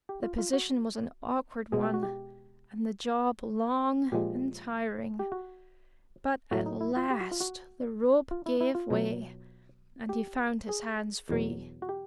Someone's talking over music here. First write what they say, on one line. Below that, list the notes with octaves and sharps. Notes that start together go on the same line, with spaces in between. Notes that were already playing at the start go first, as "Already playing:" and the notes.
The position was an awkward one and the job long and tiring, but at last the rope gave way and he found his hands free.
G4
F4
F4
F#4
B2 G#3 G#4
G4
F#4
G4
A#2 F3 G#3 G4
G4
F#4
A2 F#3 F#4
D#4
E4
F4
G4
F#4
F4
F#4
F4
E4
E4
F4
B2 F#3
G4
G#4
E2 B2 F#3
F#4
G4